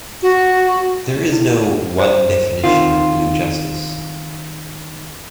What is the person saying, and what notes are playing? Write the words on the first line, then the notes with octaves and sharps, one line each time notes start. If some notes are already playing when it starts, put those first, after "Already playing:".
There is no one definition of Blue Justice.
F#4
E4
C5
D#3 C4 F4